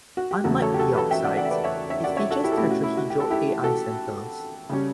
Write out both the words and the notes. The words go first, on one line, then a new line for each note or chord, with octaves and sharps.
Unlike the oxides, it features tetrahedral Al centers.
F#4
G4
E2 C#3 F#3 A3 F#4 A4
A4 C#5
G4
F#4 A4
B4
F#4 A4
E5 G5
D5 F#5
D5 F#5
E5
B4 D5
C#5 E5
C#5 E5
D5 F#5
C#5 E5
F#4 A4
E4 G4
A4
B2 A3 C#4 E4 G4
F#4
E4
F#4
G4
A4
E4 G4
F#4 A4
C#3 G3 C#4